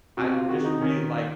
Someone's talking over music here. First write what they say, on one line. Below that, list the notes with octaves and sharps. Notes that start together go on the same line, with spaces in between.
I just really like
C3 F#4
F4
D#3 F#4
D#4
D#3 C#4